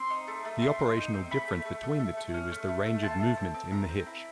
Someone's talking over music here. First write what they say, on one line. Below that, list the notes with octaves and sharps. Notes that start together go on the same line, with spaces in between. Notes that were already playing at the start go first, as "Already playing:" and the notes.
The operational difference between the two is the range of movement in the hitch.
Already playing: C4 C6
D#4
A3
A3
A3 C6
C4
D#4
C4
A3 B5
A3
A3
A3
A3
A3
C#4
A3
A3
A3
F4 A5
A3
C4
C4
C4 A#5
C4
E4